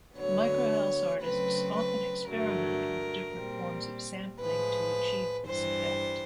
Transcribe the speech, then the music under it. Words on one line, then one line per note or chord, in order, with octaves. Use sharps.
Microhouse artists often experiment with different forms of sampling to achieve this effect.
D2 D3 F#3 B3 C#5
C#3 F#3 A3 C4 B4
B4
G2 D3 F#3 A3 A#4
A#2 G3 C4
A2 F3 G#3 B4
G2 E3 G3 C5